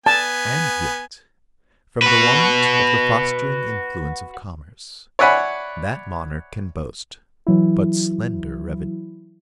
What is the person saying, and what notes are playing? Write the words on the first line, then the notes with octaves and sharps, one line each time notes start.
And yet, from the want of the fostering influence of commerce, that monarch can boast but slender revenues.
B3 G#5 A5
F#4 B4
C#5 D5 E5 F#5 G#5 B5
E3 F#3 E4